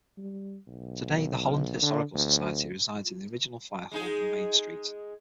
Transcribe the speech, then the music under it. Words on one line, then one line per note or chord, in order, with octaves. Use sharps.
Today the Holland Historical Society resides in the original fire hall on Main Street.
G3
B1
D3
D2
G#3 D#4 G#4